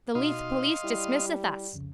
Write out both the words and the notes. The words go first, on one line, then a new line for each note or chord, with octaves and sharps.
The Leith police dismisseth us.
B2 D#4 F#4 D#5 F5 C6
G3 E4
C2 F2 C#3